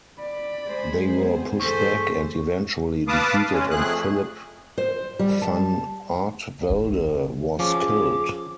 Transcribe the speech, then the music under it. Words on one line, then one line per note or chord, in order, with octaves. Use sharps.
They were pushed back and eventually defeated and Philip van Artevelde was killed.
D5 B5
G#3 G#4 C5
B3 C4
E2 G2 A#2 G#4 A4 C5 C#6 B6
B4 F5 A5 D6 D#6
G#3 C#4
F2 A3 G#4 F#6
C5
G3
A5
E4 F4
F3 C#4 G#4 D6